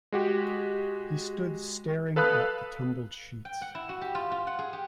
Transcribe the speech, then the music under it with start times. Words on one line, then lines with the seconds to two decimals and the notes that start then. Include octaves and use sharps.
He stood staring at the tumbled sheets.
0.12 G#3 F#4 G4
2.16 A4 B4 F5 B5 D#6 F#6
3.45 G5
3.62 F#5
3.75 E4
3.89 F#4
4.01 G4
4.15 F4
4.31 F4
4.47 F#5
4.59 G#4
4.73 G4